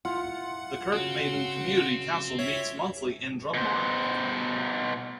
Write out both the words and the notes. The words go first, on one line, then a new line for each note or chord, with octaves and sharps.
The Kirkmaiden Community Council meets monthly in Drummore.
E4 F4 F#5
C#3 C4 F#4 G#5
C#5 E5 B6
B2 C5